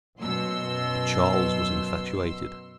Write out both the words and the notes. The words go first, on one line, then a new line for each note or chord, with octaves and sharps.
But Charles was infatuated.
F#2 B2 C6 E6